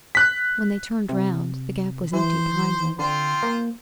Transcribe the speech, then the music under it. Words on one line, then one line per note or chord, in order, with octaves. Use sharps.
When they turned round The Gap was empty behind them.
F#6 B6
C3
E3 C5
D3 C4 F4 C5
A#3